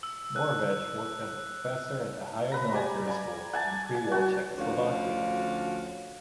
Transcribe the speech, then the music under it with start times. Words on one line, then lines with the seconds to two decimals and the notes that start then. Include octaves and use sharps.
Moravec worked as a professor at the higher military school in pre-war Czechoslovakia.
0.03 E6
0.36 F#6
2.52 B4 A#5
2.73 G3 D5 G#5
3.07 D5 G#5 A#5 B5
3.53 F#5 G#5 A5
3.95 G#5
4.11 F#4 A5
4.57 D2 D3 F3 C#4 F#4 F5